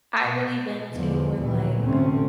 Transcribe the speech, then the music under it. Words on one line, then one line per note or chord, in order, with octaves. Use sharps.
I really been to were, like,
B2
E2 D3 F3
D2 A#2 D#3 E3
F1 D2 A2 A3 C4 C#4